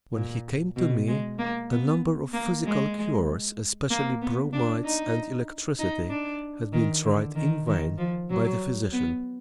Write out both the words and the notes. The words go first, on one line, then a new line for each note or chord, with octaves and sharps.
When he came to me, a number of physical cures, especially bromides and electricity, had been tried in vain by the physician.
A#2
B2
G#3
A#3
B3
A#3
G#3
A#3
B3
D4
D#4
D#4
D4
D#3
D3
D#3
D#3
F3
F#3
B3